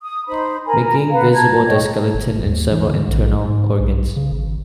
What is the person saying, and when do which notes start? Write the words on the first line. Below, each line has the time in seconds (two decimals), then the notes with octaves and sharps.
Making visible the skeleton and several internal organs.
0.04 D#6
0.27 D#4 C5 B5
0.66 A#4 G#5 A#5 B5
1.11 B4 F5 F#5 A#5
1.33 A5 A#5 G#6
1.67 C#5 D#5 G5
2.14 G1
2.45 D#2
2.71 E3
2.89 D3
3.08 A#1
3.45 G#2
3.80 B1
4.16 C#3
4.32 G#1